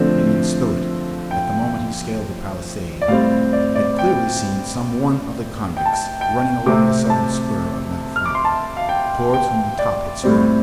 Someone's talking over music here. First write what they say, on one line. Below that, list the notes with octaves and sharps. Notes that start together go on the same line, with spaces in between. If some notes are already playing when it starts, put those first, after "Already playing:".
Gideon Spilett, at the moment he scaled the palisade, had clearly seen some one of the convicts running along the southern spur of Mount Franklin, towards whom Top had sprung.
Already playing: D3 F3 A3 C4
G5
D5
A2 G3 C4 F5
D5
D5
G5
G5
A5
G5
G5
C3 A3 C4 D6
A5
F6
D6
C6
A5
F5
G5
G5
D5
A2 G3 C4